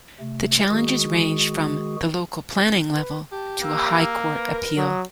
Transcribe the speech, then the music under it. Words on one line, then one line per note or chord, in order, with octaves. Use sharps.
The challenges ranged from the local planning level to a High Court appeal.
C3 A3
D#3 G#3 F#4 G#4
B4
G4 A5
A#3 E6
E6
A#4 B4
F#3 D#6